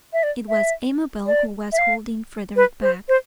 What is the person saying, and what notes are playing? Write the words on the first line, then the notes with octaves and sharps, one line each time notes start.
It was Amabel who was holding Frederick back.
E5
D5
E5
D5
E5
F5
B4
C5
C5